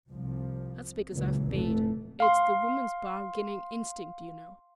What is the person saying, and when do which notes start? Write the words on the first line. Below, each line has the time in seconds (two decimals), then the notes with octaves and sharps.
That's because I've paid. It's the woman's bargaining instinct, you know.
0.10 C2 F3
1.12 C#2 A#2 C#3 E3 F#3
1.49 F1 E3 A3
2.20 F5 C6